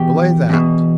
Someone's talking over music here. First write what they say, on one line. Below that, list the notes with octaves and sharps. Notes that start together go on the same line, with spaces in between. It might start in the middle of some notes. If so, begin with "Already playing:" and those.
"Belay that!"
Already playing: E2 B2 G4
E2 B2